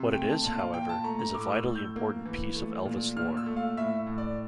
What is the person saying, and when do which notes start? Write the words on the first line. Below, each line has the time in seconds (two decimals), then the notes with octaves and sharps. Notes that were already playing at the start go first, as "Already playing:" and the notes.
What it is, however, is a vitally important piece of Elvis lore.
Already playing: C3
0.13 A3 G5
0.29 A5
0.44 A#2 A5
0.59 F5
0.73 A#2 G5
0.89 A5
1.04 A3 A#5
1.19 A#5
1.35 A2 D6
1.55 E6
1.65 A2
1.75 G6
1.96 A#3
2.25 E3
2.55 A3
2.85 A#2
3.17 A#2 F6
3.37 E6
3.46 A3
3.56 F5
3.77 A2 E5
4.06 A2
4.18 D5